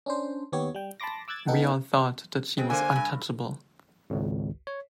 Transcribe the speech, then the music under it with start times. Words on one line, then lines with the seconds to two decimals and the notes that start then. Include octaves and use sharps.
We all thought that she was untouchable.
0.06 C#4 D4 C5
0.52 D#2 B3 G4 C#5
0.75 G3 G5
1.00 A5 B5 C6 D6 A#6
1.28 D6 E6 F#6 G#6 A6
1.47 B3 D#4 A4 F#5 G5
2.57 G#3 C4
2.70 D3 A#3 C5 G#5
2.92 G2 B2
4.10 G#1 C#2
4.67 C#5